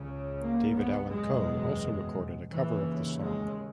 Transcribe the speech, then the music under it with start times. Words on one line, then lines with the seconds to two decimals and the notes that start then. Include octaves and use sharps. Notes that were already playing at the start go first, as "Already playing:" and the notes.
David Allan Coe also recorded a cover of the song.
Already playing: C#2 C#3
0.41 A#3
0.76 B3
1.11 F#1 E2 B2 G#3
2.50 D#2 C#3 E3
3.21 G#3